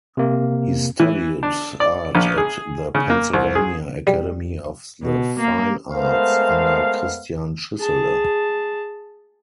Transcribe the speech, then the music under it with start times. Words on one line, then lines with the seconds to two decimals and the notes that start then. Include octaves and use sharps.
He studied art at the Pennsylvania Academy of the Fine Arts under Christian Schuessele.
0.17 C3 A#3
1.00 E3
1.43 D4
1.80 D5
2.15 A#1
2.38 G#4
2.95 C#3
3.10 A#3
3.33 C2
3.55 G#4
4.07 G3
5.03 B2
5.40 A#3
5.92 G#3 A3 B3 A#4 C5 F5
7.80 G#4 A5